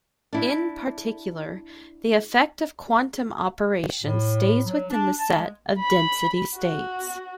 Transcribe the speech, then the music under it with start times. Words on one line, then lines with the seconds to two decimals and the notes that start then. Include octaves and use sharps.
In particular, the effect of quantum operations stays within the set of density states.
0.33 D4 E4
4.02 A2
4.65 F#3
4.89 D4
5.19 A5
5.37 G#3
5.79 B5
6.55 F#4